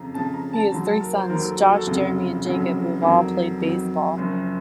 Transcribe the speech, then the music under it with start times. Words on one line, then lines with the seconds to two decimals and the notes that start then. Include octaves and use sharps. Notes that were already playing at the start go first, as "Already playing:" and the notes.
He has three sons, Josh, Jeremy and Jacob who have all played baseball.
Already playing: F2 C#3 F3 A#5
0.14 F2 C#3 F3 A5
0.34 A#5
0.53 A5
0.71 D#2 D#3 F#3 A#5
0.86 A5
1.00 A#4
1.15 C5
1.30 D#2 D#3 F#3 A#4
1.43 A4
1.58 F#4
1.73 A4
1.87 F1 F2 C#3 F#3
2.45 F1 F2 C#3 F#3
3.01 F2 D#3 F#3 A#4
3.60 F2 D#3 F#3
4.17 F#1 F#2 F3